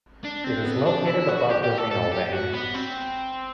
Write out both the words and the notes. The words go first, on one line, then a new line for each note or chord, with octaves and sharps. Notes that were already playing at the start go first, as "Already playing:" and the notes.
It is located above the renal vein.
D4
C4
B3
D4
E4
F#4
G4
G4
A4
A4
G4
F#4
B3
C4